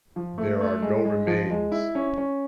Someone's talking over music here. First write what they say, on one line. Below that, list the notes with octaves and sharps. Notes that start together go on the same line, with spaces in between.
There are no remains.
F3
A3
A3
G#3
G#3
F3
G#3
E4
C#4
C#4